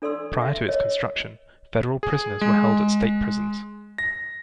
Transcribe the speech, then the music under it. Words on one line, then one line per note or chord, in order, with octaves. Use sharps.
Prior to its construction, federal prisoners were held at state prisons.
D4 A4 D5 C6 E6
E5
A#4 C#5 D#5
G#4
G#3
A#6